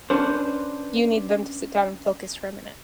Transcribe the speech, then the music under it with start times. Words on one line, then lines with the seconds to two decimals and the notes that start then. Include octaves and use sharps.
you need them to sit down and focus for a minute.
0.10 C#4 D4 B4 C5